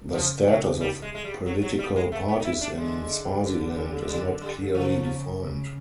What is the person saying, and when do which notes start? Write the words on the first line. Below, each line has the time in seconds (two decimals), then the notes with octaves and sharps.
The status of political parties in Swaziland is not clearly defined.
0.14 C#3 F3
0.47 C#3 F#3
0.81 G3
1.02 G#3
1.15 G#3
1.24 G3
1.46 F#3
1.62 F#3
1.79 G3
1.96 G#3
2.12 A3
2.28 B3
2.40 D#4
2.45 E4
2.61 D4
2.77 D3 G#3
3.43 D3
4.09 G3
4.41 G3
4.74 C#3 F3
5.40 C#3